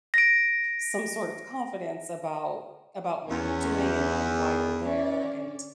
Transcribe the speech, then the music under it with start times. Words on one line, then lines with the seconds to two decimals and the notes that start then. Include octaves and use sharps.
some sort of confidence about about what you're doing and and why you're there, and
0.14 A#6 D7
3.29 E2 C#4
4.82 C#4 D5